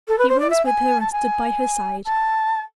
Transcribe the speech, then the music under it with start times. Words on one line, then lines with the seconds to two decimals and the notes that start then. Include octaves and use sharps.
He rose with her, and stood by her side.
0.08 A4
0.18 B4
0.29 C5
0.40 D5
0.50 E5
0.66 G#5
1.00 A5
1.12 G#5
2.05 A5